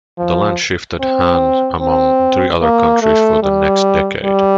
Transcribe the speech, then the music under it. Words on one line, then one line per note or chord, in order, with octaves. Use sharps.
The land shifted hands among three other counties for the next decade.
F3
C4
C4
A#3
A3
G3
G3